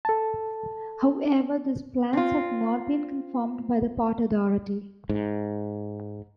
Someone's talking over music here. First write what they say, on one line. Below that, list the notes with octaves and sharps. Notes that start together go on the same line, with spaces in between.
However, these plans have not been confirmed by the Port Authority.
A4 A5
C4 F4
G#2